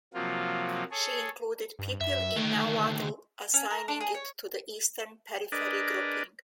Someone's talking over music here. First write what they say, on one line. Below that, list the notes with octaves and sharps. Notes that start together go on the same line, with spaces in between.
She included Pipil in Nahuatl, assigning it to the Eastern Periphery grouping.
C3 F3 F#3 A#3 F4
G#4 A4 C#5
G2
F#2 E5
D2 D#3 A3
C#4
A#4
D4
G#4
C#5
D4 G#4 A#4 B4 D5 D#5